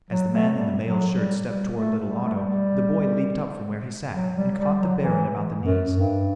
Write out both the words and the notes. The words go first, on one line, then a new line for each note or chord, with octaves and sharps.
As the man in the mail shirt stepped toward little Otto, the boy leaped up from where he sat and caught the Baron about the knees.
F#3
A3
G3
F#3
G3
G3
A3
G3
A3
G3
F#3
G3
G3
F#3
E3
F#2
G2